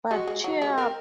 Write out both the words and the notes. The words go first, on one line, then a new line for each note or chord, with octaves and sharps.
But cheer up!
G#3 F#4
G#3
F#3
G#3
C4 A#4